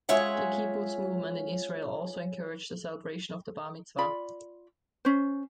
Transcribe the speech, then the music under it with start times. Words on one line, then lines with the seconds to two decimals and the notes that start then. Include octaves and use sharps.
The kibbutz movement in Israel also encouraged the celebration of the bar mitzvah.
0.09 G#3 C#4 F4 C#5 E5 F#5
3.98 F4 D5 B5
5.05 C#4 C5